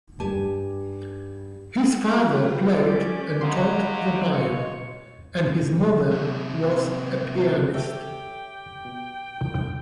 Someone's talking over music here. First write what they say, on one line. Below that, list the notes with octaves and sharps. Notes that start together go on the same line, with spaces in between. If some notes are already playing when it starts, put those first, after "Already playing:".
His father played and taught the bayan, and his mother was a pianist.
G2 G4 G#5 A5
F4 F#4 B4 F#5 G5
C#4 G4 D5 D6
F#3 C#4 B4 D#5 F5 C6
E4
C#5
C3 F#3
G4 A4 C#5 E5 G5
B2